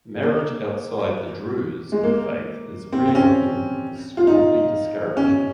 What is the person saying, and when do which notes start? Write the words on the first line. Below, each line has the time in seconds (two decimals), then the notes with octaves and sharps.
Marriage outside the Druze faith is rare and is strongly discouraged.
0.23 A#3
1.92 G#3
2.03 A#3
2.93 C4
3.08 C4
3.15 C#4
4.17 F4
4.27 D#4
5.17 C#4